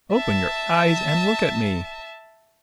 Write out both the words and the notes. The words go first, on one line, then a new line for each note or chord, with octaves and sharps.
Open your eyes and look at me!
E5 A5